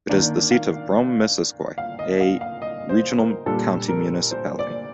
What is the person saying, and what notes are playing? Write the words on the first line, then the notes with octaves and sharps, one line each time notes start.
It is the seat of Brome-Missisquoi, a regional county municipality.
D#3 A#3 D4 D5
F5
F5
D#5
F5
F5
D#5
C5
A#4
A#2 G3 D4 A4
A#4
C5
D5